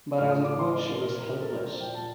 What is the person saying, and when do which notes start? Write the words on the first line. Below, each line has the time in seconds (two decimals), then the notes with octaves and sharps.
But as it was she was helpless.
0.18 A2 F3 F6
0.31 D#6
0.44 D6
0.59 C6
0.69 D#5
0.79 D5
0.89 A#4
0.99 A#2 F3 A#4
1.19 A#4
1.40 A4
1.50 A#4
1.60 C5
1.70 D5
1.80 A#2 F3 G5
1.94 A5